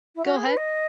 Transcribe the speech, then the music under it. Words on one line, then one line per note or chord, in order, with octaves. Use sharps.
Go ahead.
E4
F#4
G#4
B4
D#5